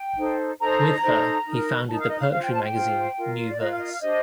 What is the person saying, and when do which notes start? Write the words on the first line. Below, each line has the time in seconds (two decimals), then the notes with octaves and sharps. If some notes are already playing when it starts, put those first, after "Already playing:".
With her, he founded the poetry magazine "New Verse".
Already playing: G5
0.17 D#4 A4 C5
0.60 D#4 A4 C5 A#5
1.03 D#4 A4 C5
1.45 D#4 A#4
1.88 D#4 A#4 A5
1.98 F5
2.08 D#5
2.19 F5
2.31 C5 F5
2.35 F4
2.41 G5
2.51 A5
2.62 G5
2.73 F4 C5
3.16 F4 A#4
3.48 D5
3.58 F4 A#4 D#5
3.69 F5
3.79 D#5
3.91 F5
4.00 D4 G4 C5 D#5